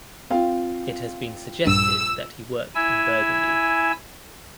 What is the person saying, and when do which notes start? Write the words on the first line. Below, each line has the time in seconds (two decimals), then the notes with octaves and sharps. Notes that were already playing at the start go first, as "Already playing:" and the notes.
It has been suggested that he worked in Burgundy.
0.30 C4 F4 F5
1.66 A#1 G2 E6
2.75 E4 G#5 E6